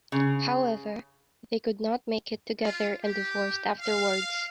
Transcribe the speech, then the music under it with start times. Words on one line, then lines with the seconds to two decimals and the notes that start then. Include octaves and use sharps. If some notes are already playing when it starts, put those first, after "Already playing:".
However they could not make it together and divorced afterwards.
0.12 C#3
2.60 F4
3.01 G4
3.79 F5